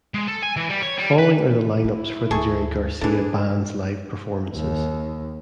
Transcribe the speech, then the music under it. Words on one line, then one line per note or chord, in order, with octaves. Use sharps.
Following are the lineups for the Jerry Garcia Band's live performances.
G#3
A4
G#5
E3
G3
C#5
G3
B4
D#4 E4
D2 D#3 G#4 A4 C#6
E3 B3 D4 G#4 A4
D#2